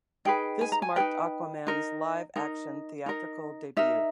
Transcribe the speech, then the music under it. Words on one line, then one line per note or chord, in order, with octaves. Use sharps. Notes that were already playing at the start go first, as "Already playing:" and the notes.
This marked Aquaman's live action theatrical debut.
D#4 G#4 B4 G5
G#5
A#5
G#5
D#4 G#4 B4 G5
D#4 A#4
D#4 A#4
D#4 A#4
D#4 A#4 E5